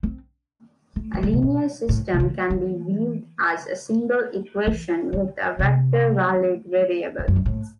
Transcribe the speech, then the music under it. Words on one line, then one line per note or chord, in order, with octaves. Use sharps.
A linear system can be viewed as a single equation with a vector-valued variable.
C4
A3
E3
D#3
C3
B2
A2
C3
D#3
E3
E3
D#3
C3
E2
F#2
G2
A2